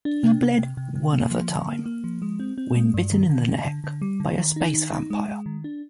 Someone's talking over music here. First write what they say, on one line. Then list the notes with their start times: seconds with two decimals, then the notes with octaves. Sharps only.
He bled one other time, when bitten in the neck by a space vampire.
0.05 D4
0.23 C3
0.41 C3
0.59 C3
0.77 C3
0.95 C3
1.13 A#3
1.31 F3
1.49 D3
1.67 A#3
1.86 A#3
2.04 F3
2.22 G#3
2.40 C4
2.58 C4
2.76 G#3
2.94 G2
3.12 D#3
3.30 D3
3.48 D3
3.65 D3
3.84 D3
4.02 G3
4.20 D3
4.38 D#3
4.56 D#4
4.74 D#3
4.92 D#4
5.10 G#3
5.28 G#3
5.46 D#3
5.64 D4